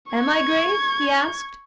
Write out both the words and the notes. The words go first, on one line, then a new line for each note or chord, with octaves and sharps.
"Am I grave?" he asked.
C#6 G#6